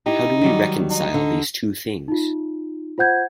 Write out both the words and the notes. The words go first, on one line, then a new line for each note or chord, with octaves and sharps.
How do we reconcile these two things?
D#4 E4 G4
D#3 F#3 G3
D#4
D3
D#4 F4
F4 C5 F#5 G6 G#6